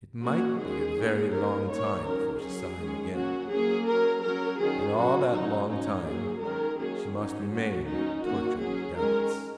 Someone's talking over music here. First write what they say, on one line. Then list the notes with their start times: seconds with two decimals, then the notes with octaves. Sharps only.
It might be a very long time before she saw him again, and all that long time she must remain tortured with doubts.
0.23 F#3 A#3 C#4 F#4
0.60 D#3 G#3 C#4 G#4
0.96 D#3 A#3 C#4
1.33 D#3 A#3 C#4 A#4
1.69 D#3 A#3 C#4 C#5
2.05 D#3 F#3 C#4 A#4
2.41 F#3 C#4 G#4
2.78 D#3 G#3 C#4
3.14 F#3 A#3 C#4 F#4
3.51 F#3 A#3 C#4 G#4
3.87 F#3 C#4 A#4
4.24 F#3 C#4 A#4
4.60 D#3 F#3 C#4 G#4
4.97 F#3 C#4 F#4
5.33 F#3 C#4 D#4
5.70 F#3 C#4 D#4
6.06 F#3 A#3 C#4 G#4
6.42 D#3 G#3 C#4 A#4
6.78 D#3 F#3 A#3 C#4 G#4
7.15 F#3 C#4 D#4
7.52 F#3 A#3 C#4 F#4
7.88 F#3 C#4 D#4
8.24 D#3 A#3 C#4 F#4
8.61 F#3 C#4 G#4
8.97 D#3 G#3 C#4 A#4